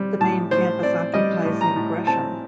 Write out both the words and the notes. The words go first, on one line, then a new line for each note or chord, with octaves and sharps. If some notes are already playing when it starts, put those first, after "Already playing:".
The main campus occupies in Gresham.
Already playing: G3 C4
A2 A5
A2 C5
C4 D5
G3 D#5
A2
A#5
A2
C4 A5